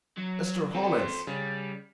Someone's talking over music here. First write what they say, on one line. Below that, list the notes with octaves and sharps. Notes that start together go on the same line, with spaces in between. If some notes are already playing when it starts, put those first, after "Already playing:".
"Mr. Hollins!"
F#3
C4 A4 C5
C#3 G3